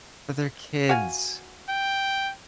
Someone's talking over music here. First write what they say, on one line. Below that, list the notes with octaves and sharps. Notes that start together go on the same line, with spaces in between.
But they're kids.
F#4 F5 G#5
G5